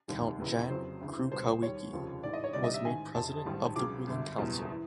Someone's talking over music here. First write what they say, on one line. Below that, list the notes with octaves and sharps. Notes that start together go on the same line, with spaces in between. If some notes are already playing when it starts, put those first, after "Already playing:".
Count Jan Krukowiecki was made President of the Ruling Council.
F1 D#2 D#3 G3
F1 E2 C#3 E3
F2 C#3 F#3 C5
D2 C#3 E3
C#2 B2 G3 C5
D#2 D#3 G3 C#5
F1 D#2 C#3 F3
A1 G#2 E3 D5
D#5
C#5
C2 C3 D#3 G3 D5
D#5
E5
A1 G#2 D#3 G#5
F1 F2 C3 A5
A1 G#2 D#3 G3
C#2 C#3 F#3 D6
G1 F#2 D3
F#1 E2 B2 G3
E3